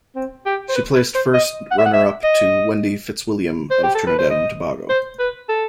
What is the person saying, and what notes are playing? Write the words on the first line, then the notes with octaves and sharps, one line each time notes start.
She placed first runner-up to Wendy Fitzwilliam of Trinidad and Tobago.
C4
G4
C5
B4
B4
C5
D#5
F#5
E5
F#5
E5
D#5
C5
G4
A4
B4
C5
D#5
C5
B4
A4